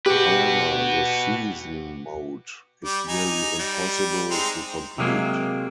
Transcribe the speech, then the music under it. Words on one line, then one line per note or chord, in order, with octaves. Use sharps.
However, the season mode is nearly impossible to complete.
F#4 G4 B4
G3 D6
D#4 G#5
G3
G#3 C4 D#4
C3 F#3 G#3 A#3